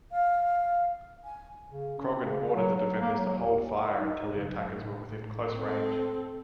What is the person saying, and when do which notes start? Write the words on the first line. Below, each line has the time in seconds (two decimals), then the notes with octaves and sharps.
Croghan ordered the defenders to hold fire until the attackers were within close range.
0.11 F5
1.24 G#5
1.70 C#3
1.99 C#4
2.18 C#3
2.55 F#3
2.76 F#3
3.01 A#3
3.16 F#3
3.38 D#2
3.93 D#4
4.36 F#1
4.79 A2
5.53 C4 A4